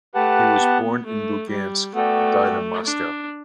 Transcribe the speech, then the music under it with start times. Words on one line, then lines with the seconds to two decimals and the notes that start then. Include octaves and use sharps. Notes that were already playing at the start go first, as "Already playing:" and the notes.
He was born in Lugansk, and died in Moscow.
0.15 A3 G4 B4 F#5 A5
0.60 B3
1.05 A3
1.49 G3
1.95 A3 B3 F#4 A4 D5 G5
2.85 D4